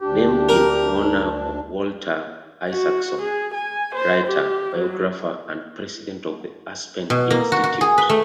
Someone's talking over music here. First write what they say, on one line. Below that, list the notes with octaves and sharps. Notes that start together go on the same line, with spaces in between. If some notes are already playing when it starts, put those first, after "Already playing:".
Named in honor of Walter Isaacson, writer, biographer and president of the Aspen Institute.
D2 D4 G4
A#4
F#4
G#4
G#5
C5
G4
F#3
B2
A#3
F#4
F#4
G#4
B4
A3